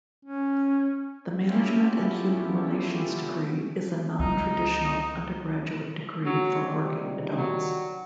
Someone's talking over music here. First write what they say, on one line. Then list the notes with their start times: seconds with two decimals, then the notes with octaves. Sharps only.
The management and human relations degree is a non-traditional undergraduate degree for working adults.
0.25 C#4
1.46 B3 C#4 E4 F4 G4 A4
4.20 C#2 D#4
6.26 F#3
6.60 C3 D#3 F3 G3
7.37 F#3